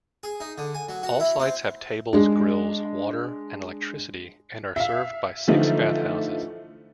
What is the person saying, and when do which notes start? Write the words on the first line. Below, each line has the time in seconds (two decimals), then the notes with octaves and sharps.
All sites have tables, grills, water, and electricity and are served by six bathhouses.
0.23 G#4
0.40 D#4
0.58 D3
0.75 G#5
0.89 F#3
1.03 F#4
1.20 E4
1.40 C4
2.13 G#3 D4
4.76 E5 F5
5.48 D3 E3 F3 A3 D#4 F4